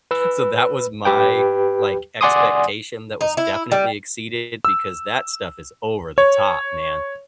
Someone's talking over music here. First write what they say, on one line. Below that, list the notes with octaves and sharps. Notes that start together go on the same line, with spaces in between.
So that was my, like, expectation that was definitely exceeded, because that stuff is over the top, man.
B4 E6
G4 B4 G5
D5 F#5 G#5 C6 D6 D#6
D#4
E4
G3
E6
C#5